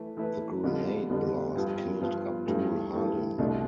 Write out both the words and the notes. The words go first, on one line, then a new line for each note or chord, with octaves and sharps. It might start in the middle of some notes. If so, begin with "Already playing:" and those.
The grenade blast killed Abdul-Halim.
Already playing: E3 A3 E4 B4
E3 A3 E4 B4
F2 D3 G3 B3 F4
F2 D3 G3 B3 F4
G2 F3 B3
G2 F3 B3
G2 E3 A3
G2 E3 A3
C2 B2 A3 D4